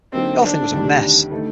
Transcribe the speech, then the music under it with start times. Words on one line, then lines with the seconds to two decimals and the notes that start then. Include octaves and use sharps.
The whole thing was a mess.
0.13 D3 F#3 A#3 C4 D#4 A4
0.43 D4
0.72 D2 C3 D#3 G3
1.31 D3 A3 D#4 A4